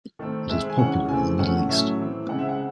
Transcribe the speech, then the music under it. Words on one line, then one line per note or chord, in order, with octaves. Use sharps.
It is popular in the Middle East.
D#3 A3 C4
D#3 G#3 C4 E5
G#5
E3 G#3 C#4 F#5
C#3 E3 A3 C4 G#5
E3 A3 C#4 F#5
A2 F#3 A3 C#4 E5
E3 C4
C#3 G#3 C4 F#5
E5
F#5